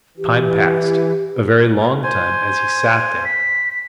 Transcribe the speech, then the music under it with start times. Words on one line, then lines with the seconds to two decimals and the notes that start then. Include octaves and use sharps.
Time passed, a very long time, as he sat there.
0.17 E3 G4
2.03 C5 G#5
3.25 B6